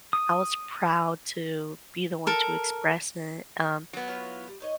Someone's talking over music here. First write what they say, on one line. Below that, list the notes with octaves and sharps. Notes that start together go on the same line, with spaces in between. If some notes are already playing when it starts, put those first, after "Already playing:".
I was proud to be the one to express it. Um,
D#6
A4 A#4
F#3 B3
E4 F4 C#5
G3
D#4 C#5 D#5